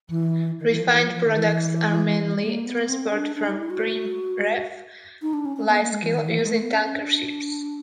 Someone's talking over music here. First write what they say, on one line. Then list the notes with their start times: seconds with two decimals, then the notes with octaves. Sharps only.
Refined products are mainly transported from Preemraff Lysekil using tanker ships.
0.09 E3
0.60 D#3
0.68 E3
0.79 F3
0.91 E3
1.03 F3
1.14 F3
1.26 D#3
1.38 E3
2.42 A#3
2.66 B3
2.89 C4
3.12 D4
3.36 D4
3.48 D#4
3.59 E4
3.70 F#4
5.22 D#4
5.33 D4
5.45 C#4
5.57 C#4
5.69 B3
5.80 A#3
5.92 G#3
6.03 E3
6.15 D#3
6.27 E3
6.39 A#3
6.44 G#3
6.50 A3
6.61 B3
6.73 C#4
6.85 C#4
6.97 D4